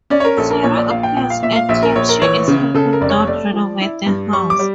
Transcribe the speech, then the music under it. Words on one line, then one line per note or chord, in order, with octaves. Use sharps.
Sarah appears and claims she is helping Don renovate the house.
C#4 D5
C#5
A#4
A#1 A4
A#4
A#2 C#5
D5
A#1 F5
G5
A#2 G5
F5
A#2 E5
F5
A#1 E5
A#4
A#1 C#5
A#4
E3 C#5
C#3
C#3 A4
A#4
F1 D5
C#5
A3 D5
F3
E4
G2
G3 C#6
D6
G3